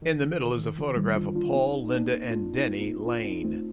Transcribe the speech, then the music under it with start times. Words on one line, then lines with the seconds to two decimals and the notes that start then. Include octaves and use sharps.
In the middle is a photograph of Paul, Linda, and Denny Laine.
0.02 D#3
0.21 D#3
0.40 D3
0.58 D#3
0.77 D3 F3
0.96 D#3 G3
1.16 D4 F4
1.35 D4 F4
1.54 C4 D#4
1.78 D4
1.87 D#4
1.94 A#3 D4
2.04 C4 D#4
2.30 D4 F4
2.55 C4 D#4
2.80 C4 D#4
3.05 D4 F4
3.24 C4 D#4
3.44 A3 C4